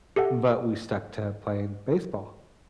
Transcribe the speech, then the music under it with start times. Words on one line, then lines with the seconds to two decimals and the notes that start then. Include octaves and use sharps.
but we stuck to playing baseball,
0.16 G4 A4 E5 F#5